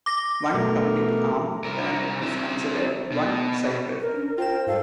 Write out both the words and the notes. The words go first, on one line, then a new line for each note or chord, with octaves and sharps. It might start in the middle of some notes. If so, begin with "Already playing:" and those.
One complete arm turn is considered one cycle.
D6 A#6
B2 A3 A#4
C2 A#4
C4 E4
B2
A#4 B4
C#4 D4
F4 A#4 C5 G5 E7
G#2 G3 A4 F5